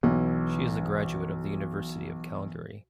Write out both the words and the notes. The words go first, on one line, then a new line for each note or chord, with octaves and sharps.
She is a graduate of the University of Calgary.
B1 E3